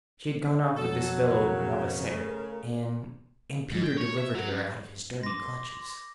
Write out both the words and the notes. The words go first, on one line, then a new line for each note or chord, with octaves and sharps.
She had gone off with this fellow Levasseur, and... and Peter delivered her out of his dirty clutches.
F2 B2 F#3 A4
C#3 A#4
A3
G#2
G5
C#5
E5
F#3
F#2
C6 D6 A#6